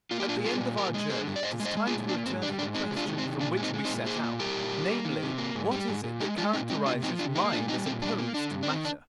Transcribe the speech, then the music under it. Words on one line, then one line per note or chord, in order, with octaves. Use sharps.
At the end of our journey it is time to return to the question from which we set out, namely: What is it that characterizes mind as opposed to matter?
A#3 F4
G4
A#2 D4 F4
G3 F4 G#4
A#2
F3 G4 A#4
G#3
D3 G#4 C5
G2
D5
A#2 C5 D#5
G#3
C5 D#5
G#3
F4 G#4
A#2
A#3 D4
G#2 C4
G3 D4
G#2 D4
G#3 C4 D#4
C3
D4 F4
D#3
C4
C3
A#2 D4
G#3
C4 D#4
G#3
C4 D#4
A#2
A#3 G#4 C5
A#2
G3 G4 A#4
A#2
G3
A#3
D#3
C3
A#3
G#2
G3
G#2
A#2
G#3 D#4 G4
G#3 D4 F4
A#2 C4 D#4
G#3 C4 D#4
C3 D4 F4
F3 C4 D#4
C3 D4 F4
A#3 D#4 G4
A#2 D4 F4
G3 C4 D#4
A#2 C4
G3 D4
A#3
D3 D4
G2
D4
D#3 C4
D4